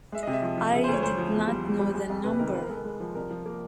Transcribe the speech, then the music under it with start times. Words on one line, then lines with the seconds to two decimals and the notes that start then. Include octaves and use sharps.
I did not know the number.
0.12 G#3 E5
0.23 D#5
0.27 C3
0.33 E5
0.42 F3
0.58 F3
0.73 C#3 E5
0.84 C5
0.88 D2
0.93 C#5
1.03 D2 C5
1.18 F3
1.34 E2
1.48 G3
1.65 E2
1.79 G3
1.94 G#3
2.10 F2
2.24 C3 B4
2.39 D#3 A#4
2.54 B3 B4
2.62 A#4
2.70 G#3 A4
2.77 A#4
2.85 G#3
3.00 F3
3.15 C2 A#4
3.31 F3
3.46 A#3